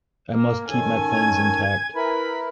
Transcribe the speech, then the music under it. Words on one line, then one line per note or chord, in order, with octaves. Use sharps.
I must keep my planes intact.
A#3
D#3 C#4 A4 G#5
G#6
E4 A#4 B4 B5